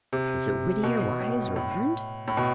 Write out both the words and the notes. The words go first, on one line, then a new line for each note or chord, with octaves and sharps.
Is it witty, or wise, or learned?
C3
B2
A2
A2
A2
B2